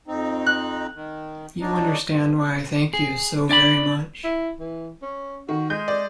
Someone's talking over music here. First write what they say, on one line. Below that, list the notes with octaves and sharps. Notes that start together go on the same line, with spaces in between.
You understand why I thank you so very much?
F2 C4 D#4
F#6
D#3
F#3 D4 D#4
G2
G#4
D4 D5 G#5 B5
E4
E3
C#4
D#3 F#4
G#3 G6
D5